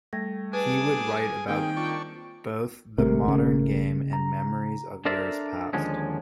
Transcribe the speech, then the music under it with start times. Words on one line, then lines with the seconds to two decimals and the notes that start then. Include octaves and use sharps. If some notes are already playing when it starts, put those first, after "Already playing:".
He would write about both the modern game and memories of years past.
0.13 G3 A3 G#6 A#6
0.53 D4 G#4 B4 G#5
1.48 D#3 A#3 C4 G#4 G5
1.77 D4 F4 C#6
2.98 G#1 C3 A3 A#4
3.28 C#3
4.13 A#5
5.05 D4 A4 A#4 C5 D5 E5
5.73 D#2 D3 F3 G#3 C#4